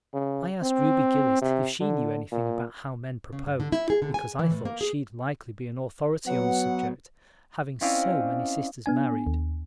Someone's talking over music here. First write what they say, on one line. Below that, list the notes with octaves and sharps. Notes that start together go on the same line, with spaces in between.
I asked Ruby Gillis if she knew anything about how men proposed because I thought she'd likely be an authority on the subject, having so many sisters married.
C#3
C4
C3
D3
A#2
C#3
G2
D3
E4
G#4
D3
G#5
E3
A2
A#3
G#4
F#3 B3 F#5
C4 C#4 E4 D5 D#5 F5
B3 D4 G#5
D#2